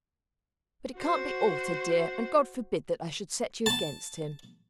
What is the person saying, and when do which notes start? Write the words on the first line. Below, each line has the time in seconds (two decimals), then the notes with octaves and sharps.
But it can't be altered, dear, and God forbid that I should set you against him.
0.98 F#4 C5
3.66 A5